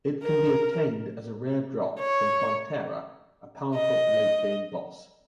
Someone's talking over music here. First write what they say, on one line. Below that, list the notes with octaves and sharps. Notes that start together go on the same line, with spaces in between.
It can be obtained as a rare drop from Plantera, a powerful late-game boss.
A#4
C#5
D#5